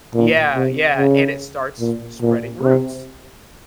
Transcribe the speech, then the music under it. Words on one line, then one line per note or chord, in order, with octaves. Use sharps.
Yeah yeah, and it starts spreading roots,
A#2
C3
C#3
A#2
A#2
C3